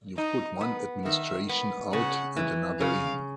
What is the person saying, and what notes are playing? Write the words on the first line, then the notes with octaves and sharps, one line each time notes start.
You've put one administration out and another in.
D#4 D#5
B3
D#3 E5
B3
C#3 F#5
E3
C#3 F5